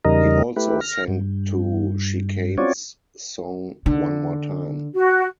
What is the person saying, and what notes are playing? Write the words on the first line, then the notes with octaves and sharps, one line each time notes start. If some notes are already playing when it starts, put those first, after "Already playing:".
He also sang to Chicane's song "One More Time".
E2 C#3 G3 D#4 A#4 D#5
A3 E4 G4 B4
F6 A#6
G2
C4 C#4 F4 F#4 C#5 D5
D3
F#4